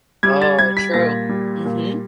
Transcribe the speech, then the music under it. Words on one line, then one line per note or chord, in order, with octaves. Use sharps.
Oh, true. Mhm.
G3 G#6
A6
G3 G#6
B6
A#2 A#6
G3
A#2